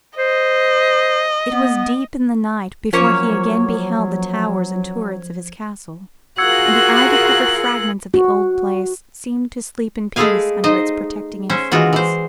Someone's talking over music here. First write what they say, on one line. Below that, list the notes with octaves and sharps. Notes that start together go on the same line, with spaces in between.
It was deep in the night before he again beheld the towers and turrets of his castle, and the ivy-covered fragment of the old Place seemed to sleep in peace under its protecting influence.
C5 D#5
B3
F3 F#3 A#3 C#4 C5 C#5 G#6
F4 F#4 G#4 A#4 E6 F#6 G#6 C#7
F#4
G#3 A3 E4 G#4 F5 G#5
D#4 C5 D#5
C#4 C5 E5
E3 G#3 F4 F#4
E3 C5